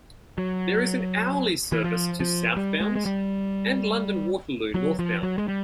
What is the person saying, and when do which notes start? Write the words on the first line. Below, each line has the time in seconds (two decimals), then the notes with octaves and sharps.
There is an hourly service to southbound and London Waterloo northbound.
0.38 F#3
1.72 E3
1.84 F3
2.20 F3
2.56 G3
2.80 G#3
2.96 G#3
3.06 G3
4.74 F#3
4.99 F3
5.23 F#3
5.38 G#3
5.48 G3